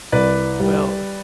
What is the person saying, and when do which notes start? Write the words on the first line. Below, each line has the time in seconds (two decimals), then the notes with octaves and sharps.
Well, uh,
0.12 C2 B4 D5
0.60 G3